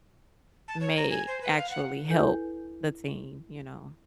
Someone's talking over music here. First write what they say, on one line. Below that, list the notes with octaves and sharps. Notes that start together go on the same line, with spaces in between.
may actually help the team, you know?
A5
C#5
A#5
G#5
C5
B4
F5
F#5
D2 E4 A4 B4 G#5 G6